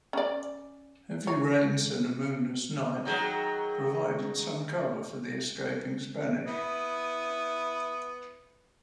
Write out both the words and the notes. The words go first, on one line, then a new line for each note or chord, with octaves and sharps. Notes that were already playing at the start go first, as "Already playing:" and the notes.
Heavy rains and a moonless night provided some cover for the escaping Spanish.
C#4 D5
C#5
D#3 F#3 G#4
B3 E4 D#6